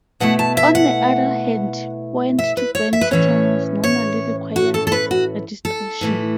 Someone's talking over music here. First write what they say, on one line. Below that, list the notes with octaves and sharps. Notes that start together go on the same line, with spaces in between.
On the other hand, point-to-point tunnels normally require registration.
B2 A3 E4 F#5
A5
E5
F#5
E5
B4
C#5
E5
B4
A2 E3 A3 C#4 C#5
C#5
F#4
A4
A4
B4
F#4
A4
A2 E3 A3